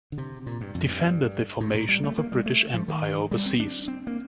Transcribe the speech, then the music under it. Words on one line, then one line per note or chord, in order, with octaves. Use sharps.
Defended the formation of a British Empire overseas.
D3
C3
A#2
G2
F2
G2
A2
A#2
G3
A3
A#3
G3
A3
F3
D#3
G3
C4
D4
C4
A#3